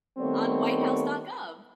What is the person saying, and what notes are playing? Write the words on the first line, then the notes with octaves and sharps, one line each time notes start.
On whitehouse.gov.
D#3 G3 A3 B3 C4 C#5